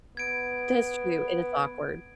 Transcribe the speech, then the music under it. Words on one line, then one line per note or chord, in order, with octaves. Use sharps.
That's true, it is awkward.
B3 G#6 D7